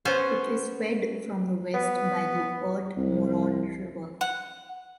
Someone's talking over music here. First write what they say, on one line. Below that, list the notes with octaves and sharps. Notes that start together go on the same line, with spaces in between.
It is fed from the west by the Urt Moron River.
B3 C#4 C5
B3
C2
F#5